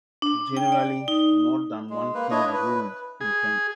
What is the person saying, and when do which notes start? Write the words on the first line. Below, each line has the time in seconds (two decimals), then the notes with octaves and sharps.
Generally more than one king ruled in Kent.
0.22 D4
0.57 G5
0.72 D5
1.08 D#4
1.90 G#3
2.14 A#3 B4
2.31 D4 E4 C#5 D#5
2.53 B4
3.21 G#4